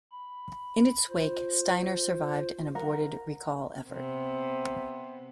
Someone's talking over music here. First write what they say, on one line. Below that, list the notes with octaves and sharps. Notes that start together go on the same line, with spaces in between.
In its wake, Steiner survived an aborted recall effort.
B5
F4 C5
A#4 F#5
C3 B3